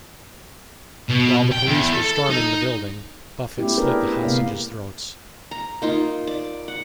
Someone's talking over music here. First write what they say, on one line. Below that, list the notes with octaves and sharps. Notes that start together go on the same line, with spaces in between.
While the police were storming the building, Buffet slit the hostages' throats.
B2
G5
E2
A4
D#4
A3 B3 C#4 E4 G4
C4 D4 E4 G#4 A#4 B4
C3 G#3 A#3 B3 F5
A#5
A#3 D#4 F4
D5
F#5